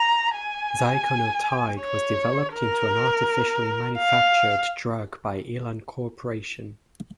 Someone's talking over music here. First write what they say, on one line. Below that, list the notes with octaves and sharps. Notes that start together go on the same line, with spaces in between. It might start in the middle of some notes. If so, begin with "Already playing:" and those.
Ziconotide was developed into an artificially manufactured drug by Elan Corporation.
Already playing: A#5
G#5
C#5
A#4
F5